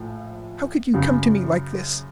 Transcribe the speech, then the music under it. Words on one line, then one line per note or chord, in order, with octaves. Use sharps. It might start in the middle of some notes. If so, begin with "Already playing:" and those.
How could you come to me like this!
Already playing: A#1 A2 F3
F#2 C#3 F#3